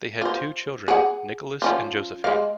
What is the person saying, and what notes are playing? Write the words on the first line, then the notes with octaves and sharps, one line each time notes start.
They have two children, Nicholas and Josephine.
F4 C5
G#4 F#5
F3 C#4 F4
G#3 F5